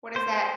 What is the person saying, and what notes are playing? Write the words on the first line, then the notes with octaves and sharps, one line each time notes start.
what is that?
C5